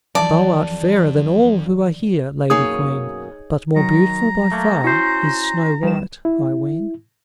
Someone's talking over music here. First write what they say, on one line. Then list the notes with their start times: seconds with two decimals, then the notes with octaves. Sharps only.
"Thou art fairer than all who are here, Lady Queen, But more beautiful by far is Snow-white, I ween."
0.15 F2 E3 F#3 D5 A5
2.50 F#2 B2 A#3 D#4 G#4 C#5 D#6
3.76 D#3 F#3 A#5
4.52 A3 A#3
4.84 C#4 E4 F#4 C5
5.83 D#3 G3 B4 E7
6.25 E4